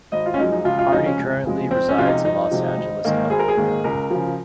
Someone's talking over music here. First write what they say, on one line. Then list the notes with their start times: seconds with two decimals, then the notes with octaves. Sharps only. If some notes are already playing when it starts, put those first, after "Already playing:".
Carney currently resides in Los Angeles, California.
0.12 G#1 D#5
0.26 F4
0.34 C#4
0.38 F#2 F3 G#3 D#4
0.52 D#4
0.65 C#2 F4
0.79 F4
0.91 C#3 F3 G#3 D#4
1.06 C#4
1.19 C#2
1.45 C#3 F3 G#3
1.71 F2 C4
1.89 C#4
1.98 C3 F3 G#3 F4
2.07 D#4
2.24 F2 D#4
2.51 C3 F3 G#3
2.78 G#1
3.05 G#2 D#3 A#3
3.30 G#1 G#4
3.39 A#4
3.48 G#4
3.57 G#2 D#3 A#3
3.84 C#2 A#4
4.11 C#3 F3